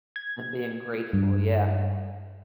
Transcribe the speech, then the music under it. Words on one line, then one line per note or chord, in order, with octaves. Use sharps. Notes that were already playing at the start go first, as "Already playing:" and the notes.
And being grateful. Yeah.
G#6
G2